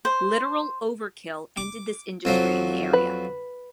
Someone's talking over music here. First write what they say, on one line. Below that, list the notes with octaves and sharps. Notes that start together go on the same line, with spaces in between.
Literal overkill ended this industry in the area.
C5
D6
F2 F3 F#3
B4